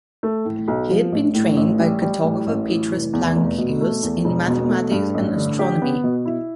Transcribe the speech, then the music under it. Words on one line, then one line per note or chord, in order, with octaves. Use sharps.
He had been trained by cartographer Petrus Plancius in mathematics and astronomy.
A3
A2
B1
F3
A1
A2
A1
G3
G3
A2
A1
E3
F1
E2
F1
B2
A3
E2
E1
B2
A3
G2
A1
D3
G4
B3
B2
E4